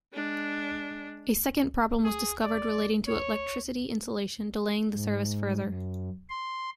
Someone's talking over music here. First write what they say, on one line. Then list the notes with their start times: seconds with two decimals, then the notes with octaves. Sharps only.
A second problem was discovered relating to electricity insulation, delaying the service further.
0.13 G#3 D4
2.04 G#4
2.43 D5
3.08 C#5
4.91 G#2
5.63 F#2
6.30 C6